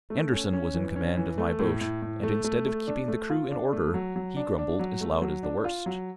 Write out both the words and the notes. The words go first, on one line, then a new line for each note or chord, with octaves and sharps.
Anderson was in command of my boat, and instead of keeping the crew in order, he grumbled as loud as the worst.
A3
C#4
C#4
E3
C#4
E3
A3
A2
A2
A2
A3
A3
A3
D4
A3
F4
D4
A3
F#3
F#3
D4
D4
F#3
A3
F#3
D4
F4
F#3